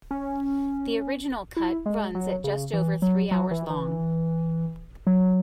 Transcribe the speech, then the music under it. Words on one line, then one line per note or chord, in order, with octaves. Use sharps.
The original cut runs at just over three hours long.
C#4
E4
G#3
F#3
C#3
E3
F#3
F#3
E3
E3
F#3